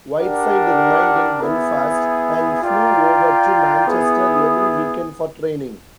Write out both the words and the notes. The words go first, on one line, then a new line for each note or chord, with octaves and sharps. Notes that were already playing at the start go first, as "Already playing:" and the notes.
Whiteside remained in Belfast, and flew over to Manchester every weekend for training.
D4 G4 A#4 D5 F#5
B3 E4 G#4
F4 A#4 D5 G5
B3 E4 G#4